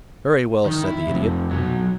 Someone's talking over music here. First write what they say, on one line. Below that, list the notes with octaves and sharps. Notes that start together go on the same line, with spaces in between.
"Very well," said the Idiot.
D#3
E4
F2 C3
B1 F#3